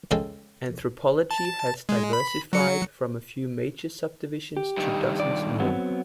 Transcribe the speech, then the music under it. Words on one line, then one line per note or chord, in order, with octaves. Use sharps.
Anthropology has diversified from a few major subdivisions to dozens more.
C#2 C#3 G#3 A4 F5 G5
A5
G#3
B5
F#3 C#7
G4
G2 D#3
D5
F#3 B3 C4